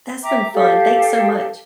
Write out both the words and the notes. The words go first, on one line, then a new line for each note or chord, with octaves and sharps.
that's been fun, thanks so much.
E5 G5 A#5 D6
G4 A4 F5